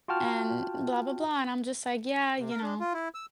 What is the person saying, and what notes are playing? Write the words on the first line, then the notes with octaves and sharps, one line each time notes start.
and blah, blah, blah." And I'm just, like, "Yeah, you know,
F4 F#4 G5 A5 F6
C3
A#4
D4
F4
E4
E6